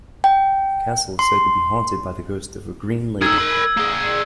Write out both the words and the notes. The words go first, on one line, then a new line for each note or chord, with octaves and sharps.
The castle is said to be haunted by the ghost of a 'Green Lady'.
G5
C6
D#4 A4 E6 G#6
A#4 B5
A#3 G#4